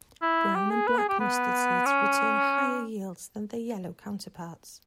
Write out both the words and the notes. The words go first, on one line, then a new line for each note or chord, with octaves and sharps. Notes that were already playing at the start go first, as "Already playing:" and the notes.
Brown and black mustard seeds return higher yields than their yellow counterparts.
E4
G4
G#4
B4
G#4
G4
B3
C#4